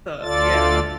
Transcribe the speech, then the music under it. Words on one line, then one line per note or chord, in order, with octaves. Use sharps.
But, yeah.
D2 F4 A4 D5 A6